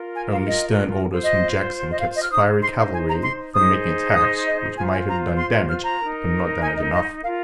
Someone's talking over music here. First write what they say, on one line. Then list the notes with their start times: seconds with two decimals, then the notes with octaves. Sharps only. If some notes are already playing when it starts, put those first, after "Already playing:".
Only stern orders from Jackson kept his fiery cavalry from making attacks which might have done damage, but not damage enough.
Already playing: F4 A#4
0.16 G#5
0.32 F5
0.48 D#5
1.09 F4 C5
1.24 D#5
1.92 D#5
2.01 F5
2.16 D#5
2.25 F6
2.32 D#4 C5 D#6
2.62 C6
2.78 F5
2.93 G#5
3.09 A#5
3.24 C6
3.54 D#4 G#4 C5 D#6
4.15 D#6
4.47 D#5
4.77 F4 C5 G#5
4.93 G#5
5.07 A#5
5.38 C6
5.69 F6
5.84 A#5
6.00 D#4 A#4
6.61 G#5
6.76 D#5
6.91 D#5
7.22 A#4 F5
7.25 F4